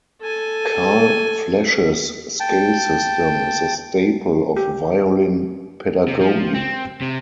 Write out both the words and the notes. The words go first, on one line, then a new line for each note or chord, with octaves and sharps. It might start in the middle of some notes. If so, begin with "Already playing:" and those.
Carl Flesch's "Scale System" is a staple of violin pedagogy.
A4 G#5
G5 A5
G4
C3
F3
C4
C3